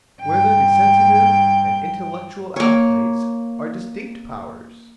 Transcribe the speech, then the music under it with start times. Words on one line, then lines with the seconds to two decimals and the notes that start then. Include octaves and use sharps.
Whether the Sensitive and Intellectual Appetites Are Distinct Powers?
0.21 G2 G5
2.56 A#3 C#5